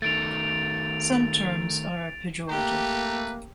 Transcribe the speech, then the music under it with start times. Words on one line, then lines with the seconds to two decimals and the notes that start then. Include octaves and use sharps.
Some terms are pejorative.
0.02 D#3 A3 A6 D7 F7
2.49 A3 A#3 G4 B4 A#5